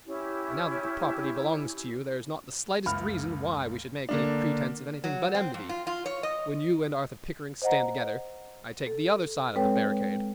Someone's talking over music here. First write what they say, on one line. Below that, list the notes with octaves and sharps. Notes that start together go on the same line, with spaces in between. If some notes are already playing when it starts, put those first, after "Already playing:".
And now that the property belongs to you, there is not the slightest reason why we should make any pretense of anything but enmity. When you and Arthur Pickering stand together I take the other side of the barricade!
C#4 E4 G4
F#1 C#2 B5 F6
D3 A#3 D4
F#3
C4
F2
F4
F4
C#5
D#5
C5 D#5 F#5 A#5
A4
G#3 C4 A4 B4 C#5 G5